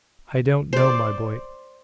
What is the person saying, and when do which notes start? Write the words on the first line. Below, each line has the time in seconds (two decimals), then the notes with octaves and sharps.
"I don't know, my boy."
0.73 C5 D5